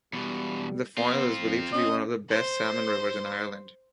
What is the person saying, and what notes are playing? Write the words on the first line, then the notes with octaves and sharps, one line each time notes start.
The Foyle is believed to be one of the best salmon rivers in Ireland.
E2 B2 G3
B3 C4 F4
F2
C#4 D#5
C5 C6